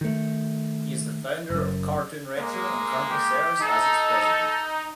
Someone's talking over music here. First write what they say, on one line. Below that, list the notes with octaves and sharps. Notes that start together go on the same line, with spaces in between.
He is the founder of CartoonRetro and currently serves as its president.
D#3 A3
F#1 F#2
G#3 A#3
G4
D#4 A4